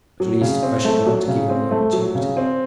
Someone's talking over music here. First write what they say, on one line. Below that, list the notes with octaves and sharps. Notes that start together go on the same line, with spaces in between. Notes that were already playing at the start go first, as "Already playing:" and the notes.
At least, I should like to give him the opportunity.
F#3
C#3
C4
A3
F#3
C#3
C4
A3
F#3
C#3
C4